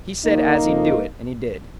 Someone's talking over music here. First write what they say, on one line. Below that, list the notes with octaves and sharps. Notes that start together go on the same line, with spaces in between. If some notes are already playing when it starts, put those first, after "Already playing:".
He said as he'd do it, and he did.
D#2 D#3 A#3 D#4
F2 F3